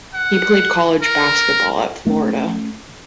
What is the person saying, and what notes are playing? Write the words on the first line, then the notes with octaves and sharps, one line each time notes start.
He played college basketball at Florida.
F#5
A#4
A3 B3 C#4